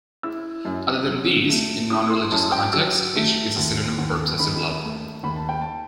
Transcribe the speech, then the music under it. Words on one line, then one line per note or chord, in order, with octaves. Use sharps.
Other than these, in non-religious context, "'ishq" is a synonym for obsessive love.
E4 E6
F#2
F#3
A3
E4 D#6
C6
F#2 A5
G5
F#3 E6
A3
D#2
D#2
D#3 B5
A3
D#2 B5
A5
G5
A5